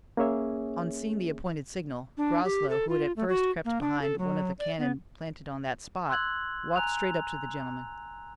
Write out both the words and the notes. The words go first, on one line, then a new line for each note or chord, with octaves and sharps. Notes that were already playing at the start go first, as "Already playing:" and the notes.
On seeing the appointed signal, Groslow, who had at first crept behind one of the cannon planted on that spot, walked straight up to the gentlemen.
A#3 C#4 G#4 C#5 E5
D4
G4
A4
F4
A3
F#4
A#3
D4
A4
F#3
D5
B3
C6 E6 F#6 G#6 F#7
G#5 A#5 F#6 F7